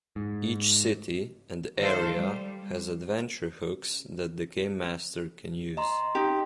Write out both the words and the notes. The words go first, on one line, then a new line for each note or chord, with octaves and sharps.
Each city and area has adventure hooks that the gamemaster can use.
G#2
D#3 A4 C5 F5
G3
D#5 A#5 C6
D#4 G4